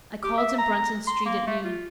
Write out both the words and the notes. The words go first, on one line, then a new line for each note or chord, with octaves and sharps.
I called in Bruton Street at noon.
G4
E5
A#5
C6
A#3
A3
F4